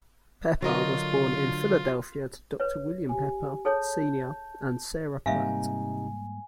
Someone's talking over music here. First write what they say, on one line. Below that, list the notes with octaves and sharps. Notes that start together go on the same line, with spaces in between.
Pepper was born in Philadelphia to Doctor William Pepper, Senior and Sarah Platt.
D3 F#3 F4 A#4 D#5
B4 C#5
G4 G#5
G#4 A4 C#5 A5 G6
G#2 C3 G3 A#3 D#4 E5 F5 G#5